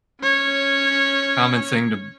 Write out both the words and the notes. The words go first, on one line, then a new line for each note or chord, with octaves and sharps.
common thing to
C#4 C#5